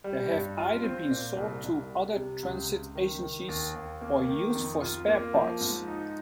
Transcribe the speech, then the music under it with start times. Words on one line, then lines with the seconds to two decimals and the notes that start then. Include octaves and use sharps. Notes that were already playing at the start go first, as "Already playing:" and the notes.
They have either been sold to other transit agencies or used for spare parts.
0.04 G3
0.30 G2
0.58 F4
0.84 C4
1.11 A#2
1.36 C2
1.64 C2
1.89 G3
2.16 C3
2.43 C#2
2.69 C#2
2.95 D#3
3.23 D#3
3.48 D#2
3.75 D#2
4.01 A#3
4.29 D#3
4.55 F2
4.82 F4
5.08 A#3
5.34 F3
5.61 G#2
5.87 D#4